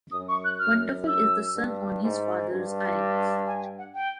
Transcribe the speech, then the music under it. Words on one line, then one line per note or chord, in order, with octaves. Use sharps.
Wonderful is the son on his father’s eyes.
F#2 D#6
C#6
F#6
F#2 F6
E6
G2
G#2
G2
G#5
G5
F#5
G5